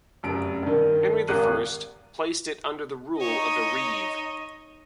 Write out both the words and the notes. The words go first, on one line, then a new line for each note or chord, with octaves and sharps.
Henry the First placed it under the rule of a reeve.
F1 F#2 D7
G2 D#3
D#1 G#1 A#3 F#6 D#7
D#4 C#5 D#5